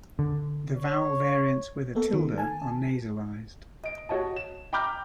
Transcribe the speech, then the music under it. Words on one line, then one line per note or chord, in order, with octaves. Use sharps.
The vowel variants with a tilde are nasalized.
D3
C#5
A#3 B3 A4
D#3
G#5 A5
D#5 D7
F#4 C#5 D#5 A5
E7
G5 A#5 B5 D6 F6 G6